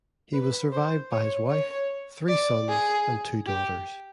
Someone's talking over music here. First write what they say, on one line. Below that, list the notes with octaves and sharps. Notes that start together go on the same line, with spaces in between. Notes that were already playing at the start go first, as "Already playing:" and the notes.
He was survived by his wife, three sons, and two daughters.
B4
C5
C#5
C#5
D5
G#4
G4